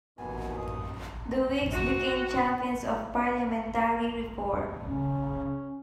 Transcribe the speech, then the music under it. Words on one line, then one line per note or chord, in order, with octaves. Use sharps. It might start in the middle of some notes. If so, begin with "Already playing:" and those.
The Whigs became champions of Parliamentary reform.
A1 D#2 B2 E3 B3 G#5
A1 F#2 D#6
F#4
C#3 C#4